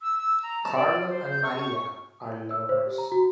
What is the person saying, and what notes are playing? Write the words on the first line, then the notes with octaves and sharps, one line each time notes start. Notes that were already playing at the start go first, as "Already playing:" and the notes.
Carlo and Maria are lovers.
E6
E6
A#5
A5
D5
C5
G6
C#6
E6
C5
G4
A#5
F#4